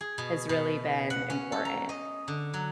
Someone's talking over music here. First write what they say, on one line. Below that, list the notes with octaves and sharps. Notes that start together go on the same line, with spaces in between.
has really been important.
G#4
B2
B2
F#5
C#4
A4
A#5
D#5
D3
F#3